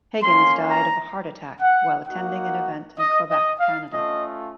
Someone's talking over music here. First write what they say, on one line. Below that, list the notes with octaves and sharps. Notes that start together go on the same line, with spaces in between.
Higgins died of a heart attack while attending an event in Quebec, Canada.
A#3 C#4 F4 C6
A#5
F#5
A#3 D#4 F#4 F#5
D#5
D#5
F5
A3 C#4 F4 D#5